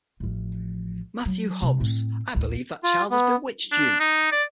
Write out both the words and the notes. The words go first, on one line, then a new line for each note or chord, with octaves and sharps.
Matthew Hobbs, I believe that child has bewitched you!
A1 F3
F#3
C3
A2 C4
A1 D2
F4
B3
D4
D#4
D5